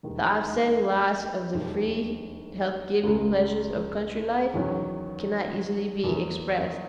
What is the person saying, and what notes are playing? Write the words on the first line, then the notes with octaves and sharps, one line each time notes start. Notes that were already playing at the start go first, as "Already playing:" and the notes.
The offsetting loss of the free health-giving pleasures of country life cannot easily be expressed.
E1 D#2 D#3
E1 D#2 D#3 F#3
C#2 C#3 G#3
E2 D#3 F#3 C#4
E2 D#3 A#3 E4